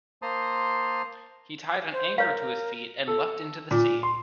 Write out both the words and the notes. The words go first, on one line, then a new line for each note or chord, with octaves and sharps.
He tied an anchor to his feet and leapt into the sea.
A#3 C5 A5 A#5 C6 D#6
C5
A#4 C#5 F5
A4
A#2
C6